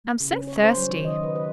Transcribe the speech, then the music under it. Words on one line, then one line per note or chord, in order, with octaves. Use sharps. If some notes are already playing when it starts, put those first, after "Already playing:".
"I am so thirsty."
C#3
C#4
C#5
C5
F#3
D#3
D#5
B4
B4